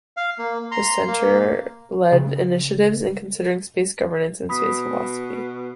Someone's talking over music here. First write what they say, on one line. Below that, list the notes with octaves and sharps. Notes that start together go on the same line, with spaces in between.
The centre led initiatives in considering space governance and space philosophy.
F5
A#3
A#5 C6
A#3
C#3
B2 B5 D#6 B6